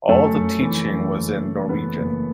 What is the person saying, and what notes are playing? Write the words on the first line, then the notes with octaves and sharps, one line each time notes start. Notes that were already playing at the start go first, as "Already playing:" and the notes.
All the teaching was in Norwegian.
F#2 A3 A4
F#2
E3
F#2
F#1
E3
E3 B3 B4
F#1